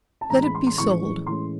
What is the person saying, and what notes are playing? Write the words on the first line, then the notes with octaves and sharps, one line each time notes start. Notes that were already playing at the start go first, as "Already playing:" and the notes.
Let it be sold.'
A5
A2 E3 G#3 C#4 A#5
B5
C6
C6
A2 E3 G#3 C#4 C#6
A2 E3 G#3 C#4 C6